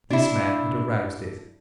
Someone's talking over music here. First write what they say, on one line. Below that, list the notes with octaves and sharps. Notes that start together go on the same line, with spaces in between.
This man had aroused it.
D4 E4